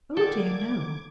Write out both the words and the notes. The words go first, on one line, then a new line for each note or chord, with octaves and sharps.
'Oh dear, no!
A#2 D3 D#3 A4 D6 G#6